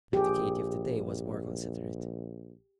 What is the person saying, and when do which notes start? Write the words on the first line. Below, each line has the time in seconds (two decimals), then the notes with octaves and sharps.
But the Katy of to-day was more considerate.
0.13 A#1 G4 G#4